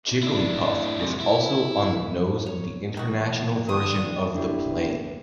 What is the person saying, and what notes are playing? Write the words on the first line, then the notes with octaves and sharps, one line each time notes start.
Jigglypuff was also on the nose of the international version of the plane.
D4 E4
G#2 C3
E4
C#5
D#3 E3 F#4
G2 D3 C4 D#6
D4 E4 G4